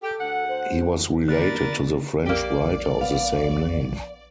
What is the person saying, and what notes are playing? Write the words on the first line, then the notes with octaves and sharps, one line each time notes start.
He was related to the French writer of the same name.
G4 A4
D2 F#5
C5
D3 A#3 A#4 B4 D5 A6
A#1 A#3 G4 D5
B3 F5